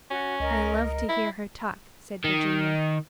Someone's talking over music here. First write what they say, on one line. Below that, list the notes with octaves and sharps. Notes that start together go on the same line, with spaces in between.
"I love to hear her talk," said Virginia.
C#4 F#4
C#2 A#4 D#5
E4
D#3